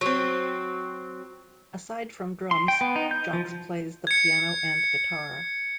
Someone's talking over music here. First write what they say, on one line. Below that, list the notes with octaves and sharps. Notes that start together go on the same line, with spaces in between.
Aside from drums, Jocz plays the piano and guitar.
F#3 C4
C6
G5
B3
D#4
G6
F3
G#6 C#7